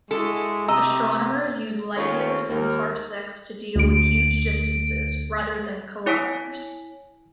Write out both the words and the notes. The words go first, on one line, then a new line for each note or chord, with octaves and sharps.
Astronomers use light years and parsecs to deal with huge distances, rather than kilometres.
G#3 E4 F#4 A4
C3 G4 D#5 A#5 E6
D#2 D#3 A3 C#4 F4 C#5
D#2 A#4
D2 D7
E4 C#5 G#5 B6 D7